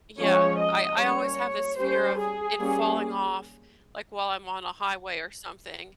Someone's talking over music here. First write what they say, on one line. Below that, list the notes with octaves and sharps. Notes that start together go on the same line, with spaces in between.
Yeah, I I always have this fear of it falling off, like, while I'm on a highway or something,
F3 G#3 C#4 C#5
D#5
G3 A#3 C#4 C#5
G3 C#4 C5
G#4
G3 A#3 C#4